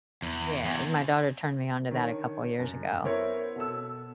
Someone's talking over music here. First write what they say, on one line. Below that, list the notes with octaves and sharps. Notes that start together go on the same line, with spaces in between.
yeah, my daughter turned me onto that a couple years ago,
E2
E2
D#3 D4 C#5
F#2
B3 E4 A#4 C5 C#5
B2 A4 E6